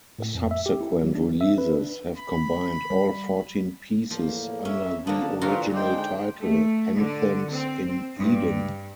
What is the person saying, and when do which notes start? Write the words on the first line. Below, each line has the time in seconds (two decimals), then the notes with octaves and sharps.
Subsequent releases have combined all fourteen pieces under the original title, "Anthems in Eden".
0.19 A2
0.35 F2
0.51 E5
0.66 G4
0.81 E4
1.03 F#3
1.15 D4
1.28 E3
1.41 E5
1.58 B4
1.74 D4
2.18 B5
2.90 G3
4.11 E2 A2 F3 A#3
4.65 C#4 E5
5.07 D3 F3 A#3 B3 A5
5.42 A#2 D3 E3 F3 F4 F#4 A#5
5.74 G#3 D#4 C5 D5 G5
6.38 A3
6.94 D3
7.51 C4
8.17 G2